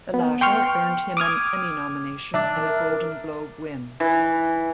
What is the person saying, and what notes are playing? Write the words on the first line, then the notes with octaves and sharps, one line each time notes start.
The latter earned him an "Emmy" nomination and a Golden Globe win.
B3
G5 C6 C#6 F6
D6 D#6 F6 G#6
D4 E5
A#4
E3